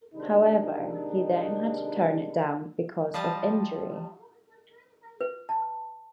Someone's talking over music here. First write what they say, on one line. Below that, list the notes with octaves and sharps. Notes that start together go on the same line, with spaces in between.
However, he then had to turn it down because of injury.
C3 D#3 G#3 D4 D#4
F3 G3 D#5 A5
B4
A5